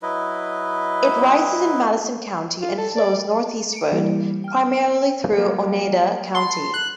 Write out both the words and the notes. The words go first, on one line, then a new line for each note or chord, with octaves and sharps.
It rises in Madison County and flows northeastward, primarily through Oneida County.
F#3 E4 B4 D#5
F4
A4
D5
C#7 D7
E3 G3 A#3 E4 G4 A#4
G5 F6
F#3 A#3 A#4
A5 B5 C6
F#6